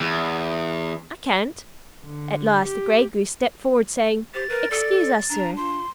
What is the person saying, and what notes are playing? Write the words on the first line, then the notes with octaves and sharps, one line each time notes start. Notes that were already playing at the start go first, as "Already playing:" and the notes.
I can't." At last the Gray Goose stepped forward, saying, "Excuse us, sir.
E2
D3
G4
G4 C5 A6
A#4 B4
A4 D5
D4 A#5
F4 C6